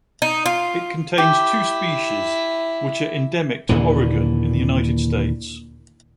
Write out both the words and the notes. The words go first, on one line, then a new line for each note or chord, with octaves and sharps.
It contains two species, which are endemic to Oregon in the United States.
D#4
F4
E4 G4
D#2 A#2 D3 E3